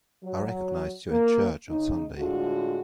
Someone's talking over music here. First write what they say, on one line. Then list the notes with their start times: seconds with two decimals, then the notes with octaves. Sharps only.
I recognized you in church on Sunday.
0.24 F#3
1.11 A#3
1.69 C#3 D#4
2.18 A2 D3 G#3 F4 F#4